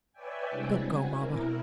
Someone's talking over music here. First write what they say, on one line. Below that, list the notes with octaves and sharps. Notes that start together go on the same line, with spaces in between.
"Don't go, mamma."
B4 C#5 D5 E5 G5 G#5
C3 G3 G#3 C4 D4 E4
C4 F#4 G#5
B2 E4 A#4